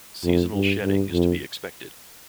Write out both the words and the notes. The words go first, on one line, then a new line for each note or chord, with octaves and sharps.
Seasonal shedding is to be expected.
F2
G2
G2
F2